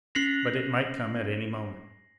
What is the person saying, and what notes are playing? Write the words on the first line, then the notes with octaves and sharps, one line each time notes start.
But it might come at any moment.
C#4 A#6 C7 F7 F#7